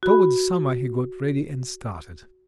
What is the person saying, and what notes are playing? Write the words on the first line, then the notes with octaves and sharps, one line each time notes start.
Towards summer he got ready and started.
F#4 B5